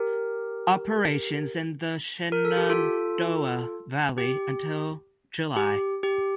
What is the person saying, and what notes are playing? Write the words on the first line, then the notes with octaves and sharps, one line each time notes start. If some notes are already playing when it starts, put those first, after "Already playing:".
Operations in the Shenandoah Valley until July.
Already playing: G4 A#4
A#4
A4
G4
F4 A4
G4
G4
G4